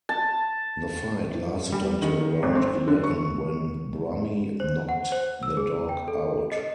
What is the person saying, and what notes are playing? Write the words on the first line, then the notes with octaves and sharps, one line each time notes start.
The fight lasted until round eleven when Brummy knocked the dog out.
A5
G3
D#3
G#1
C4
D3
C#6
C5
F#5
C5
E6
G#4
G5
A4
D#5